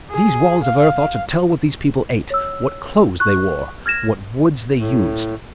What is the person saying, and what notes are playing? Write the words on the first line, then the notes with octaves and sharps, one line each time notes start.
These walls of earth ought to tell what these people ate, what clothes they wore, what woods they used.
G#4
F5
C#5 E6
C#6 F#6
F6 G#6 A#6 E7
A2